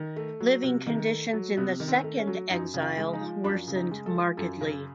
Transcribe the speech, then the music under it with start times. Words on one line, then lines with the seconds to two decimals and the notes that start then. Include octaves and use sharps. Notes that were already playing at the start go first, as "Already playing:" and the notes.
Living conditions in the "second exile" worsened markedly.
Already playing: D#3
0.16 A3
0.40 F#3
0.63 C3
0.87 D#3
1.10 A3
1.33 F#3
1.57 C3 B3
1.80 D#3
1.88 C4
2.04 A3
2.19 C#4
2.27 F#3
2.51 F#2 D#4
2.74 C#3
2.82 F4
2.98 G#3
3.13 D#4
3.21 F3
3.44 F#2 D4
3.67 C#3
3.76 D#4
3.91 G#3
4.06 A4
4.14 F3
4.37 F#2 A4
4.61 C#3 A#4